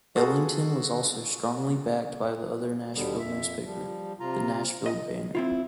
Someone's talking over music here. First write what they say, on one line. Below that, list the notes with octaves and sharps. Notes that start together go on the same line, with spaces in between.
Ellington was also strongly backed by the other Nashville newspaper, the "Nashville Banner".
F4 F#4 G#4 A4
D#2 B2 D3 G3 B3
F2 E5
F3 G3
C3 F4 A#5
D#5
C4 E4 F4